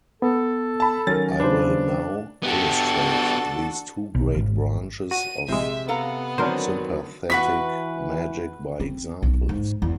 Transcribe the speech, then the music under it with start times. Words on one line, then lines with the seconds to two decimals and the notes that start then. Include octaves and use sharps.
I will now illustrate these two great branches of sympathetic magic by examples.
0.22 B3 A4
0.80 A5 B5
1.07 D#3 F#3 C#4 A#4 A6
1.40 C#3 D4 B4 C5
2.43 B3 D4 F#4 G4 A4
4.15 B1
4.35 G#1
5.11 F#4 D#7
5.48 A#1 C3 G#3 C4 E5
5.88 B3 A4 F5 A#5
6.38 D3 D#3 F#3 C4 D4 A#4 C5
7.30 E3 F#4 B4 C#6 B6
8.80 C4
9.23 B1
9.49 G#2
9.82 E2